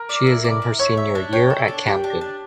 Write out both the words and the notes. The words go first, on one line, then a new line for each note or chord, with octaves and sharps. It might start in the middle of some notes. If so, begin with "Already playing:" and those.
She is in her senior year at Camden.
Already playing: A#4
D5
E4
D5
E4
C#5 E5
E5
D4
C#5 G5
A4
D4
G4 G5
D4
D4